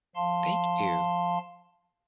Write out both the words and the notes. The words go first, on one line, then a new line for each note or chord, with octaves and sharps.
Thank you.
F3 F5 A5 C6